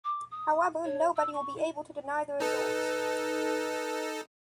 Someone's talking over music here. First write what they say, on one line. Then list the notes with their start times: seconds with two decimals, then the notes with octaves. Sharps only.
However, nobody will be able to deny the results.
0.04 D6
0.31 D#6
0.84 C#5
1.16 E6
1.33 C#6
1.56 E4
2.40 D#4 A4 B4